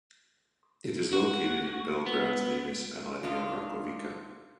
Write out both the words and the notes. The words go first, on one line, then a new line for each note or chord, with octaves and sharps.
It is located in Belgrade's municipality of Rakovica.
F#4
B3
D#3 D4 F4